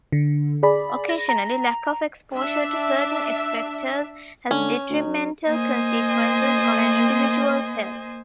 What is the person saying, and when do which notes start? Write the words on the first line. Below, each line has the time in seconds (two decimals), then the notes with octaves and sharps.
Occasionally, lack of exposure to certain effectors has detrimental consequences on an individual's health.
0.12 D3
0.63 G#4 D5 B5
1.09 A#6
1.29 A#5
2.32 D4 E5
4.51 D3 C#4
4.90 D2
5.07 F#2
5.47 A#3 C5 D#5 G#5